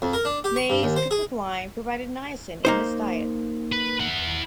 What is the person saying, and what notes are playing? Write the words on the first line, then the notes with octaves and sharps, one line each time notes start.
Maize cooked with lime provided niacin in this diet.
F2
A#4
D4
G4
C#6
G2
D#2
C5
G#4
A#3 D#4 C5
B4
E4 F#5